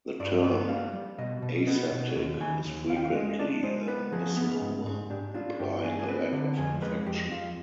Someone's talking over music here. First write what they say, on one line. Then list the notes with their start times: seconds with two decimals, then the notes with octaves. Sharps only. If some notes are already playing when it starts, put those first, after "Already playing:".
The term "aseptic" is frequently a misnomer, implying a lack of infection.
0.20 G2 D5
0.44 B3 D#5
0.69 G3 F5
0.93 G3
1.18 B2 D#5
1.42 B2
1.67 B3 D#5
1.92 B2
2.16 D#2
2.40 D#3 G#5
2.65 D#2
2.89 D#2 F5
2.96 G5
3.04 F5
3.15 G#3 D#5
3.30 D#5
3.39 D4 D5
3.63 G#3 C5
3.88 B3 B4
4.12 F3 G#4
4.36 B3
4.61 G#2
4.87 G#2
5.10 D4 G4
5.34 D4 F4
5.59 G2 G4
5.84 D4 G#4
5.99 G#4
6.08 C4 B4
6.33 D3
6.58 F2 G#4
6.82 G#3 B4
7.06 F2 G4
7.31 F2 F4